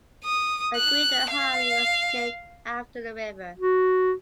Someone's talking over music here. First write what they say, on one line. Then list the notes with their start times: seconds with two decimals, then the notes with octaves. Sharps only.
The Gwydir Highway was named after the river.
0.24 D#6
0.76 F#6
1.30 F5
3.59 F#4